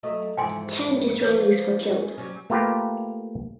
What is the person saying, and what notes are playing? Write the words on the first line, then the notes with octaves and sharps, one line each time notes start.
Ten Israelis were killed.
F#3 A3 D#5
F2 G#2 E3 G5 G#5 C6
E3 F3 G3 B4 C#5
C#4
F#3 G3 C#4
A3 A#3 F4 G4 B4